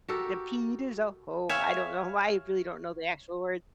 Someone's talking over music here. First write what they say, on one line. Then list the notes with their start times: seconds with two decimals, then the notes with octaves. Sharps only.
"The pita zoho," I don't know why, I really don't know the actual words.
0.08 F#4 G4 A4 A#4
1.49 C#5 E5 F5 G#5